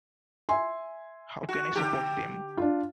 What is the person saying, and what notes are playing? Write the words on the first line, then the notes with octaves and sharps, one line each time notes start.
How can I support them?
E5 G#5 C6
F#4
D3 G4
D4 F4